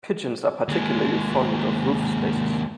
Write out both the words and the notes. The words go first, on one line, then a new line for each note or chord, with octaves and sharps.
Pigeons are particularly fond of roof spaces.
D#2 G#3